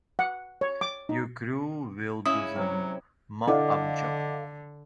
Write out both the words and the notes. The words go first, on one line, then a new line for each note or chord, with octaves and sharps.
Your crew will do the mop up job.
F#5
C#5
D6
D#4
C#3 G#3 C#4 E4 D#6
C3 F#3
D3 D4 E4 A4 D#5 F5 F#5 D6